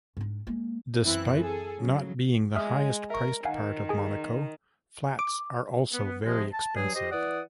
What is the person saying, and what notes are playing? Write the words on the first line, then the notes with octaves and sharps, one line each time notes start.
Despite not being the highest priced part of Monaco, flats are also very expensive.
G#2 D4
G#3 A#3
F#2 E3 C4 E4 F#6
G#4 A4
C#3 F#3
G#3 E5 D#6 F6
A#4 E5 C#6
D#3 F5 F#5 G#5
G#4 G#5
D6
B3
C3 F3 G#3
A5
G2 F#3 G#4
G4 C5 D#5
E3 D5 F#5 D#6